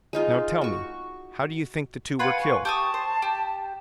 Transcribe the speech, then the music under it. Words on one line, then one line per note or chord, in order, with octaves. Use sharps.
"Now, tell me, how do you think the two were killed?"
G#3 D#4 F4
F#4 C#6
F4 B4 F#5 G#5
C#6
G4 A5 C#6 D#6
C5
G4